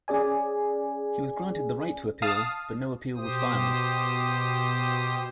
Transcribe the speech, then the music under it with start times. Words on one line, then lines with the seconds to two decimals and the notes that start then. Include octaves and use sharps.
He was granted the right to appeal, but no appeal was filed.
0.08 C#4 G#4 D5 G#5
2.22 F5 A5 D#6 F6
3.16 B2 G4 C5 D#6